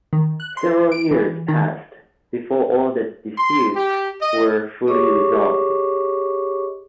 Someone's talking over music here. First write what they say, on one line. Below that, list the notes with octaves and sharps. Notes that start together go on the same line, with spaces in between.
Several years passed before all the disputes were fully resolved.
D#3
F#6
C6
D7
E3
D#3
C6
G4
D#5
G4 G#4 C#5 D#5 C#6 D6